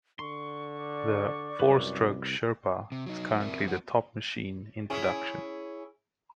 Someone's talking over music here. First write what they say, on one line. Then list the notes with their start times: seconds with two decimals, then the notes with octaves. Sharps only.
The four-stroke Sherpa is currently the top machine in production.
0.19 D3 C6 C#6
0.79 D5
1.60 C2 F#2 B4
2.92 C3
3.06 F#3 D#4
3.40 F2 C4 A#4 D5 E5
3.65 F2 F3 F#3 B4 F#5
4.90 C#4 E4 G#4